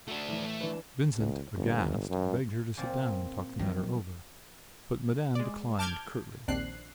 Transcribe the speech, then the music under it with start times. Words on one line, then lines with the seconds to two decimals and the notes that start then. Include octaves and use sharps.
Vincent, aghast, begged her to sit down and talk the matter over, but Madame declined curtly.
0.08 A3 D4 F#4
0.28 A2 E3
0.44 A3
0.61 E3 D4 B4
1.18 C#2
1.57 G1
2.10 F#2
2.77 A#2 F3 C4
3.59 D#3 F3 F#3
5.35 G#3 D5
5.79 A5 D6 F6 G6 G#6
6.48 A#1 D#2 C4 D4 F#6 C7